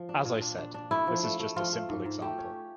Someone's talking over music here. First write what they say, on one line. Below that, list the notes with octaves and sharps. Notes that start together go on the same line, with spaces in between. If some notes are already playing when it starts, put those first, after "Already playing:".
As I said, this is just a simple example.
Already playing: F3
D4
A#2
D4
D4
D4
A3 E4
F3
A3
A3
F3 F4
A3
G#2
G#2
A3 G4
C#4